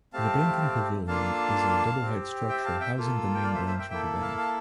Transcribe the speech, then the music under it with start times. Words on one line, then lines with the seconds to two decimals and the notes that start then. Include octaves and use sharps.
The banking pavilion is a double-height structure housing the main branch of the bank.
0.13 A3 C4 G4 F5 A5
1.07 A#3 D4 F4 A4 F5 A5
2.02 C4 G4
2.49 E5 G5
2.65 F5 A5
2.80 E5 G5
2.96 A#3 F4 A4
3.35 G5
3.43 D5 F5
3.55 C5 E5
3.67 C5 E5
3.79 E5 G5
3.90 A#3 E4 A4 E5 G5
4.22 F5 A5
4.37 F5 A5